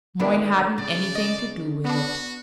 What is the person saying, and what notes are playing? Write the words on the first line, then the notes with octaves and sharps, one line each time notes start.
Moyne hadn't anything to do with it.
D2 D3 D#3 B3 D4 E4
C#3 D5
D#5
B3 D4 F#4